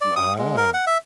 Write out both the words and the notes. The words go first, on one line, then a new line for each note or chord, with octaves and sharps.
M ah.
D5
D#6
G#3
A#4
F#5
E5